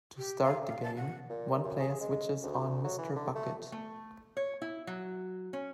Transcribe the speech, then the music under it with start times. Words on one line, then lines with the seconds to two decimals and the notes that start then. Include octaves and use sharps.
To start the game, one player switches on Mr. Bucket.
0.18 G4
0.42 F5
0.67 F5
0.83 A5
0.97 F#5
1.30 A#2
1.64 F#2
1.80 G#4
2.01 G#3
2.43 D2
2.84 F#3
2.98 E3
3.16 D3
3.35 A3
3.72 A3
4.37 C#5
4.62 E4
4.87 F#3
5.53 C#4